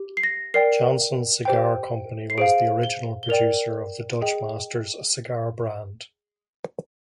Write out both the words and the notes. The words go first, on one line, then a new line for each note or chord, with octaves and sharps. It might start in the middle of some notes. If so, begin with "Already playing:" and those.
Johnson Cigar Company was the original producer of the Dutch Masters cigar brand.
Already playing: G4
C7
A#6
A#4 D5 G5 C7
G4 C5 G5
C7
G#4 C5 F5 D7
G7
G7
A#4 D5 G5 F7
G#4 D#5 G5